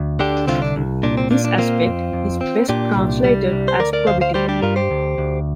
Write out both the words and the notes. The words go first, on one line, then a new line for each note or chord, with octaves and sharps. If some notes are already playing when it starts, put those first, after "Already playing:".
This aspect is best translated as probity.
Already playing: D2
D3 D4 G4
C2 C4 F4
D4
C2
A#2 D4
C4
A#2 D4
D4
A#3 C4 F4
F2
F2
C4
A#2 D4 G4
C2
G3
C2
C5
D2 A#4 D5
A#4 D5
D2 C5 F5
C5 F5
G3 G4 C5
D4 G4
G2 F4 A#4
G4 C5
D2
D2